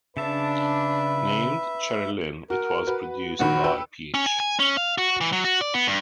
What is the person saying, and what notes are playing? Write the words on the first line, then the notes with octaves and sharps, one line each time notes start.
Named "Cheryl Lynn", it was produced by Paich.
C#3 D4 B4 E5 A5
F#4 A#4
F#4 B4
A#1 D#3 F#4 B5
B4 G5 E6
C#4
G#5
G#5
C#4
F5
F#4
E3
F#3
F#4
D5
B3
G2